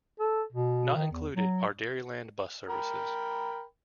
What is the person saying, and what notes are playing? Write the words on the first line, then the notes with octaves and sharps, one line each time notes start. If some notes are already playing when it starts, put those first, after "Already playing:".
Not included are Dairyland Bus services.
A4
B2
D#3
E2
F#3
A#4 G5 B5